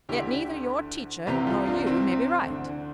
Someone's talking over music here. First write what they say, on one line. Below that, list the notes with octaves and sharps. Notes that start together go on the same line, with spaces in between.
Yet neither your teacher nor you may be right.
D2 D3 E4 G4
C2 C3 E3 G4 B4
F4 A4
D4 F4
C4 E4
D2 D3